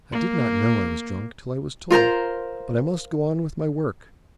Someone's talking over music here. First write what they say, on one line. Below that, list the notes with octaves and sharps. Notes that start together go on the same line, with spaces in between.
I did not know I was drunk till I was told, but I must go on with my work.
A#3
F4 A#4 C5 A#5